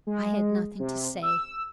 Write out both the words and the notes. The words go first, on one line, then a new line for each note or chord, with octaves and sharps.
I had nothing to say.
G#3
C3
E6